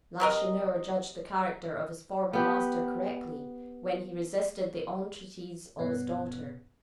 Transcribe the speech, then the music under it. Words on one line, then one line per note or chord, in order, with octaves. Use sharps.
Lacheneur judged the character of his former master correctly, when he resisted the entreaties of his daughter.
C3 A#4 D#5
B3 G4
G2 B2 B3 C#4